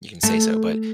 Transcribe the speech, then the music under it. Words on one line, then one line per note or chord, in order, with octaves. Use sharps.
you can say so, but
A3